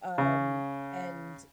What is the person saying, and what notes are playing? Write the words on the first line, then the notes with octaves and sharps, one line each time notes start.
um, and
C#3